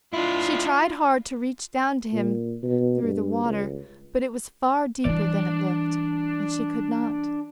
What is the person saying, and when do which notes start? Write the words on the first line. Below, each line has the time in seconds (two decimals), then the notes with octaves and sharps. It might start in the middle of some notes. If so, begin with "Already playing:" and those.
She tried hard to reach down to him through the water, but it was far deeper than it looked, and she could not.
0.13 D4 E4 F4
2.13 A#2
2.63 B2
3.03 G2
3.44 C#2
5.05 E3 G3 D4 D5